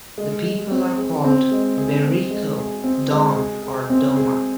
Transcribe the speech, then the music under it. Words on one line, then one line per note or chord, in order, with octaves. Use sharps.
The people are called Bericho, Dom, or Doma.
G#3
G#3
C4
G#4
C4
G#3
G#4
C4
G#3
G#4
C4
G#3
G#4
G#4
C4
G#4